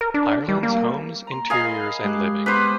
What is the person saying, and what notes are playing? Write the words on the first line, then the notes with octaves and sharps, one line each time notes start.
Ireland's Homes Interiors and Living.
A#4
D4
G3
A#3
A#5 C6
G#4 A#4 D#5 F5 B5
G#3 G4 F#6
B3 B4 C5 D6 F6